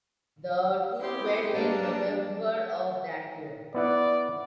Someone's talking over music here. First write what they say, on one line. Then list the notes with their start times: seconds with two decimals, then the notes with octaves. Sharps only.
The two wed in November of that year.
1.01 B3 C4 E4 G4 C6
1.54 G3 A#3 D4 G#4 B4 F5 A5 A#5
3.74 B3 E4 D5 F#5